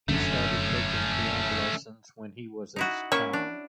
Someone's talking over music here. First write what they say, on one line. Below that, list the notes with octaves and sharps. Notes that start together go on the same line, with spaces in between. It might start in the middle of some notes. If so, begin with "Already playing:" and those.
He started taking piano lessons when he was a child.
F1 F#2 D3 A3 C#4
D#4 E4 F#4
A#3 C#4 E4 C#6
D4